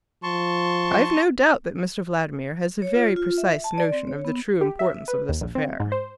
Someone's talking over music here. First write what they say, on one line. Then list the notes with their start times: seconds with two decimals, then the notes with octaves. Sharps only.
"I've no doubt that Mr Vladimir has a very precise notion of the true importance of this affair."
0.23 F3 A5 C6 C#6
2.82 C#5
2.94 F4
3.16 F4
3.38 E5
3.64 A5
3.78 D5
3.92 C4
4.07 C#5
4.25 B3
4.61 G4
4.79 E5
5.08 B4
5.29 D#2
5.41 A#1
5.55 C4
5.80 G#2
5.92 C5